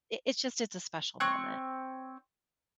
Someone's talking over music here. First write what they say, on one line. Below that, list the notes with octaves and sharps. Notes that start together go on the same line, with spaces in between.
it it's just it's a special moment.
C4 C#5 C#6 F#6